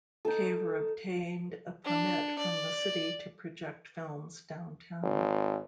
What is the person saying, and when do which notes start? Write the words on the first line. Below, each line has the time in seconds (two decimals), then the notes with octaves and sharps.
Caver obtained a permit from the city to project films downtown.
0.25 D#4 A4
1.85 D4
2.39 D5
5.03 G#1